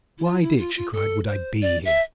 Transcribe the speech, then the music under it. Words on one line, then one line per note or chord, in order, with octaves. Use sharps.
"Why, Dick," she cried, "would I be here?"
E4
F4
E4
F4
F4
A4
C5
D5
E5